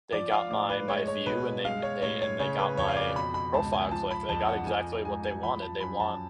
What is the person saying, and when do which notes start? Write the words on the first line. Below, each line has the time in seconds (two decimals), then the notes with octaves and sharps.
they got my my view and they m they and they got my profile click. They got exactly what they wanted. They want
0.12 F3 D5
0.32 F5
0.51 A2 D5
0.69 B4
0.88 G#3 C#5
1.07 C#5
1.26 B2 B4
1.65 G#3 F5
1.83 C#5
2.02 A2 C#5
2.22 C#5
2.40 C#3 C#5
2.59 B4
2.77 F2 C#5
2.88 F5
2.97 D5
3.15 B2 B5
3.34 B5
3.53 C#2 A5
3.73 G#5
3.91 F3 A5
4.11 B5
4.29 F2 A5
4.48 F#5
4.67 F3 G#5
5.05 G#2 G#5
5.24 G#5
5.43 F3 B5
5.62 A5
5.81 F#2 B5
6.00 A5